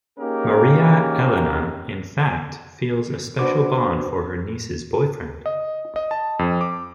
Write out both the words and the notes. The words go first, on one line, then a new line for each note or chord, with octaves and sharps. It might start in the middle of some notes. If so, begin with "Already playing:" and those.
Maria Elena in fact, feels a special bond for her niece's boyfriend.
A#3 C#4 D#4 G4 G#4 A#4
D4 F#4 B4 C5 D6
D#5
D#5
A5
F2
D6